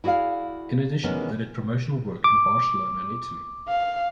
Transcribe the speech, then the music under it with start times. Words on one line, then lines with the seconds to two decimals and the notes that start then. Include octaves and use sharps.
In addition, they did promotional work in Barcelona and Italy.
0.04 E4 F#4 G#4 D5 F5
1.04 C3 D#3 E3 G#3 B3 C#4
2.24 D6
3.68 F5